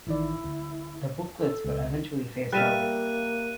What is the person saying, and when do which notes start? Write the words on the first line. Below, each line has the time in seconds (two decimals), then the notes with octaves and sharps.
The booklets were eventually phased out.
0.07 A1 D#3 E4 D5
0.44 D2
1.38 A4
1.65 C#2
2.53 G3 A#3 E5 F5 F#6 D#7